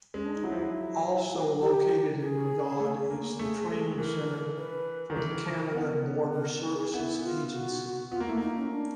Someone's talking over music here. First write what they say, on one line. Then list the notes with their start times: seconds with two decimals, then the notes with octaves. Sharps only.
Also located in Rigaud is the training center for the Canada Border Services Agency.
0.14 G#3 C#4
0.25 D4
0.34 D#4
0.44 F#3 E4
0.52 F3
0.59 F#3
1.61 G4
2.20 G#4
2.80 A3
3.09 A#3
3.39 A3 G#4
3.68 G#3 A4
3.97 E3 A#4
4.57 B4
5.10 D#3
5.16 E3 A#4
5.46 F3
5.75 B3
6.34 A#4
6.74 G#4
6.93 B3 E4
7.23 F4
7.52 F#4
8.11 B3 F4
8.20 A#3
8.27 A3 E4
8.38 A#3 D#4
8.56 C#4
8.70 D4